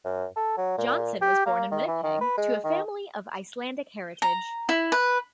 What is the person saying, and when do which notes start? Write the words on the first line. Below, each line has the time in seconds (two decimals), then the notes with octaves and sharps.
Johnson was born in Winnipeg, to a family of Icelandic heritage.
0.05 F#2
0.37 A4
0.57 F#3
0.78 A#2
1.21 G4
1.46 A#3
1.71 D#3
1.87 E3
2.03 D#3
2.21 B4
2.37 G#3
2.64 D#3
4.22 A#5
4.69 E4
4.92 B4